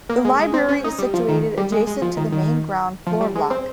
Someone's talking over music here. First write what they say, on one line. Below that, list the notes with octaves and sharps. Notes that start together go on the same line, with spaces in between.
The library is situated adjacent to the main ground floor block.
A#3
G#3
G#3
C4
C#4
D#4
G3
F3
D#3
G3
G#3
G#3
F3
D#3
D#3
F3
G3
G#3
C4